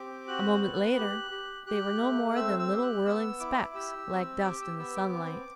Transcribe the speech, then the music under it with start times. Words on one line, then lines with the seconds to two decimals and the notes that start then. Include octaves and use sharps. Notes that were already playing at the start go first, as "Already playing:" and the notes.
A moment later they were no more than little whirling specks, like dust in the sunlight.
Already playing: C4 G4 D6
0.28 F#4 F#6
0.62 B3
0.97 G4
1.31 G4
1.66 G4 F#6
2.01 A3
2.36 C4 E6
2.59 E6
2.71 G4
2.82 F#6
3.05 B3 E6
3.40 E4 D6
3.74 G4 E6
4.09 C4
4.44 G4 D6
4.62 E6
4.78 B3 E6
4.96 D6
5.13 C4